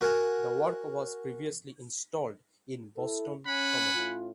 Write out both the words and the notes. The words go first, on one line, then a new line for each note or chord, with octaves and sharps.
The work was previously installed in Boston Common.
F#4 A#4 F#5 G#5
E4 A4
C#4 F#5 G#5 B5
A2 C#4 F4